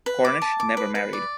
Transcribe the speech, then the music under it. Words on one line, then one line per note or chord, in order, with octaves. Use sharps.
Cornish never married.
B4
D6
A5
D6
B4
B4
D5